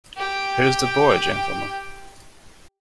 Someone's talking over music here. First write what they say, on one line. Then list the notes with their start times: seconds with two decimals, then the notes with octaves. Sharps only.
Here's the boy, gentlemen!
0.17 G4 G5